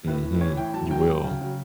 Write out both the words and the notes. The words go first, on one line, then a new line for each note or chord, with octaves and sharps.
Mhm. You will.
A2 B4
A2
E3 C#5
A2 G5
F#3 A5
F#3 G5
F#3
C#3
F#3